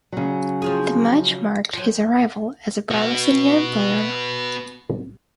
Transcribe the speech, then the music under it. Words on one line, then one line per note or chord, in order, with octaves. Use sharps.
The match marked his arrival as a promising young player.
C#3 F#3
F3 F4 G#4
F3 F#3
B3 F#4